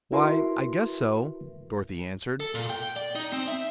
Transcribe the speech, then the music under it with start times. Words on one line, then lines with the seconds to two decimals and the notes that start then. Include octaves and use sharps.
"Why, I guess so," Dorothy answered.
0.12 E4 F#4 A#4 B4 E5 C6
2.40 A4
2.55 A#2
2.70 G5
2.96 D5
3.15 D#4
3.33 C4
3.48 E5